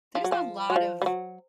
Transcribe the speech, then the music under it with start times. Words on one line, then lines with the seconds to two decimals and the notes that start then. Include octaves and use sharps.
There's a lot of
0.15 F3
0.24 F#3
0.32 F3
0.70 F#3
0.76 F3
1.02 G3
1.06 F#3